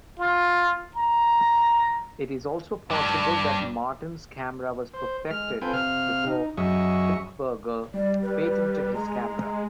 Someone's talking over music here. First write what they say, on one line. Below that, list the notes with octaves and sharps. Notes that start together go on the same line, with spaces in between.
It is also possible that Martens camera was perfected before Puchberger patented his camera.
F4
A#5
G2 D4
C5
G#3 F6
C4 F4 A4 B4 G5 G#5
C3 F5 F6
D#4
F#2 F#3 G#4 D#5 E5 C#6
G3 D5
B4
G#3 A#5